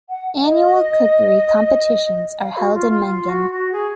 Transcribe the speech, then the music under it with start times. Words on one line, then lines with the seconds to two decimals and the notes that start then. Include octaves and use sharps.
Annual cookery competitions are held in Mengen.
0.09 F#5
0.42 D#5
2.40 F5
2.57 F#4
2.73 F4
2.90 F4
3.06 F4
3.28 F#4
3.50 F#4
3.72 G#4